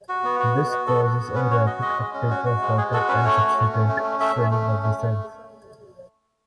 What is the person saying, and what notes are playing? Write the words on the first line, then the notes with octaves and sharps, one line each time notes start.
This causes a rapid uptake of water and subsequent swelling of the cells.
F#4
B3
F#4
B3
F#4
B3 A4
F#4
B3
C#4 B4
F#4 C#5
F#4 D#5
G#3 D#5
G#3
C#4
F#4
F#4
G#3
G#3 G#4
F#4 A4
C#4 B4
A3 C#5
F#4
A3
C#4
A3
C#4
A3 E5
A3
A3
C#4
A3
A3